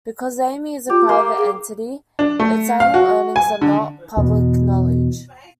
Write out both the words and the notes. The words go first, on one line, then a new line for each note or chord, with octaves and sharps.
Because Amy's is a private entity, its annual earnings are not public knowledge.
F4 G4
A#3 F5 C6
G#4
D4
A3
F5
F#4
G#5
D3
E2 B2